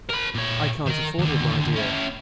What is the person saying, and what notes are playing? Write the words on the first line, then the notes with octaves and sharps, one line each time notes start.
"I can't afford it, my dear."
A#4 B5
A#2 C#5
D#3 A#4
D#2 D3
C#4 E4